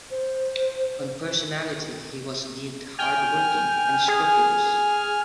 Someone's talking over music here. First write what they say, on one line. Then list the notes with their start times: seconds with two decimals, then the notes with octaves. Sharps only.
On personality he was deemed hardworking and scrupulous.
0.11 C5
2.99 G5 G#5 F6
4.08 G#4